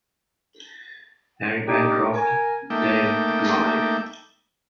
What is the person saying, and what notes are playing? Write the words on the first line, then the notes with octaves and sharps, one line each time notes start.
Harry Bancroft, Dave lied.
A#3 D4 D#4 G4
A#4 G#5
A3 A#3 D#4 E5 G5 D6